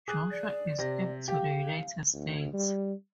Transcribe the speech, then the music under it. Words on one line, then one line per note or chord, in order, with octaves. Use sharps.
Joshua escaped to the United States.
G#4 D6 F#6
D5
C3 A#6
G4 F5
D2
G3